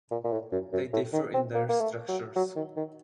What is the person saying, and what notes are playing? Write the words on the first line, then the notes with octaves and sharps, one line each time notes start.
They differ in their structures.
A#2
A#2
A2
F#2
F#2
A2
D#3
C4
A#3
A#3
A3
F#3
F#3
D#3
D#3